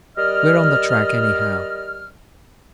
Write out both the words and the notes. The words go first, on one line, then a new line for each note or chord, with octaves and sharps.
We're on the track anyhow.
G3 A#4 D5 D#5 F6